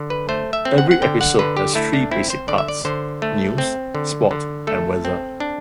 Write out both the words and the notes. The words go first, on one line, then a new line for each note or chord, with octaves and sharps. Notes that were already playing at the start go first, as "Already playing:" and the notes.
Every episode has three basic parts: news, sport and weather.
Already playing: D3
B4
A3 C5
E5
C4
F#5
F#5
D3 G5
F#5
D3 B4
G4
A3 E4
D4
C4 E4
C5
D3 D5
E5
D5
D3 C5
A3
C4
D3
D3
A3 A4
C4
D4